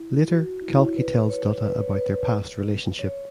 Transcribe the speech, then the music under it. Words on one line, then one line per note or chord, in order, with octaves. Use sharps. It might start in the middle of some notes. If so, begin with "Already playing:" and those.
Later Kalki tells Dutta about their past relationship.
Already playing: E4
F#4
E4
E4
C#5
B4
C#5
B4
C#5
B4
C#5